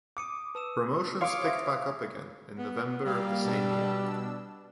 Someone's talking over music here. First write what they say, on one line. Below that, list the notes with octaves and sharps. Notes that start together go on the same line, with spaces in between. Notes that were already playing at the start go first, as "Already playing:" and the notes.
Promotions picked back up again in November of the same year.
D6 D#6 C#7 D#7
B4 A5 E6 E7
C#5 F5 C6 D6 D#6 C#7 D7
C5 E5 G#6
B3
G3 A#3 F5
B2 D4 E6